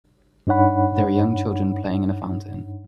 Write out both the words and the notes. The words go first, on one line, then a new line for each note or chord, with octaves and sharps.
There are young children playing in a fountain.
G2 D4 D#4 C#5 F#5 B5